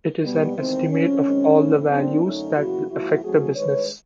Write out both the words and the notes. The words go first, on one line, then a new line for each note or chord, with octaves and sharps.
It is an estimate of all the values that will affect the business.
B2 G3 B3
E2 C3 D#3 G#3 C4
F2 C#3 F3 C#4
F#2 D#3 G#3 C4
A2 E3 A3 C4
A2 F#3 A#3 C4 D4
F#2 D3 F#3 A3 C#4 D#4
E2 C#3 F#3 A#3 E4 F#4
G#2 F3 A#3 E4 F#4
F2 D3 F#3 A3 C4 F#4 G#4
G2 D#3 G#3 B4 C#5